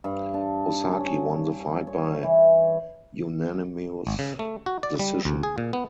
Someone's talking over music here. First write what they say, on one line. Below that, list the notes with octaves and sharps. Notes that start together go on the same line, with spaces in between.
Osaki won the fight by unanimous decision.
G2
D4
C#4
C#5
E3
G#1
C#3
A3
F#4
D5
G3
D2
G#4
A#2
B3